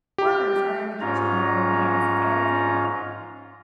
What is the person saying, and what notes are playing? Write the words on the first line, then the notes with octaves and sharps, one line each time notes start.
Workers are in the kitchen while a man sits at a table.
G4
G#2 C#4 F4 A#5